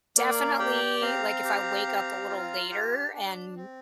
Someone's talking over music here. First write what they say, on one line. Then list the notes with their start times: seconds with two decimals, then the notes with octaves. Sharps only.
definitely, like, if I wake up a little later and,
0.17 A#3 A#4 D5
0.59 G4 D5 G5
0.96 G5
1.01 C4 F5 A#5
1.44 G4
1.87 C4
2.29 F4
2.71 G4
3.13 D4
3.56 C4